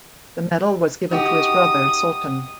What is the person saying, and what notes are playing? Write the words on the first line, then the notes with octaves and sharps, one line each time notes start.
The medal was given to his brother Sultan.
D#4 F#4 G4 D#6